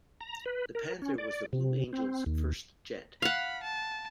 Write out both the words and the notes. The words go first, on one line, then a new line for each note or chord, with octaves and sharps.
The Panther was the Blue Angels' first jet.
A#5
B4
A#4
C#4
D5
C3
C4
D#2
F5 F#5 B5
A5